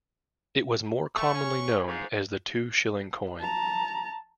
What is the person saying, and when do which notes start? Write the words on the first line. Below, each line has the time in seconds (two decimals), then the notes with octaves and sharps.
It was more commonly known as the two-shilling coin.
1.16 A3 C#6
1.35 C#4
1.86 G#2 F3
3.41 A5 A#5